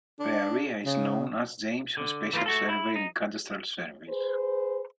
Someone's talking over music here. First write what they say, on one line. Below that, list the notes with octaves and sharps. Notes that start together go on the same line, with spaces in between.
The area is known as Jamieson's Special Survey in cadastral surveys.
D4
C#3
D3
E3 A3 A#3 C#4 F4
A3 F#4 A4
E4
D#4
G#4 B4 C5